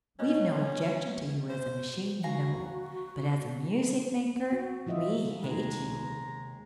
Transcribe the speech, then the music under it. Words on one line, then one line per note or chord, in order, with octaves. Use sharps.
"We've no objection to you as a machine, you know; but as a music-maker we hate you."
B2 C#4
C5
F#4 F5 G#5 A#5
F#4
F3 E4 F4 D#5 E5
D#2 C3 D#3 G#3 A#5